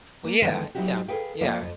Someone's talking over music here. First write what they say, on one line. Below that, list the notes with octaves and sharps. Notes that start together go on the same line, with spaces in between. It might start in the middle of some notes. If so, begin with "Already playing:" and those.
Well, yeah, yeah, I mean yeah.
A#3
D3 D#3 F3 G#3 B3 E4
F#3 C4 D#4 E4 F#4 G4
G#4 A4 B4 F5 G5
F3 A#3 F4 D5 E5 F5
F2 E3 F3